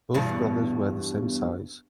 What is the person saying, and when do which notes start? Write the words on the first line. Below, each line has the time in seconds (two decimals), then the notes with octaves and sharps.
Both brothers wear the same size.
0.14 E2 G2 B2